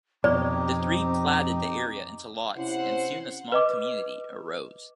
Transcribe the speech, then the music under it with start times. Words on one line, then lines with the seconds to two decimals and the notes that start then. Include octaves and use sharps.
The three platted the area into lots, and soon a small community arose.
0.24 F2 B2 C4 D#4 G4 D5
2.56 C3 C#4 E4 C5 F#5
3.52 B4 D#5 D6